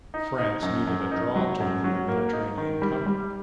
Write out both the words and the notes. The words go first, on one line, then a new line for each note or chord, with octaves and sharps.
France needed a draw to win the Mediterranean Cup.
D#4
D#4
F#2
F#2
D#4
F#3
F#2
F#3
A#3
D#4
D#3
G3
G3